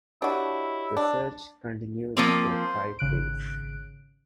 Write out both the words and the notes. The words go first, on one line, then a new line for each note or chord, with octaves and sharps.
The search continued for five days.
D4 E4 F#4 G4 C#5 D#5
D4
F3 A#3 C4 D6
C5
G#1 C#3 F#6 D7